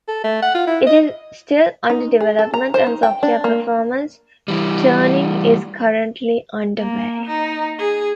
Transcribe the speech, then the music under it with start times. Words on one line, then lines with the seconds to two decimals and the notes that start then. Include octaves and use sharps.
It is still under development and software performance tuning is currently underway.
0.08 A4
0.24 A3
0.42 F#5
0.54 F4
0.67 E4
0.87 D#5
1.90 D#4
2.21 G#4
2.39 A4
2.54 A#5
2.74 C5
2.87 D#4
3.03 G5
3.23 D4
3.44 A#3
4.48 E3 G3
6.80 A#3
7.26 D#4
7.79 G#4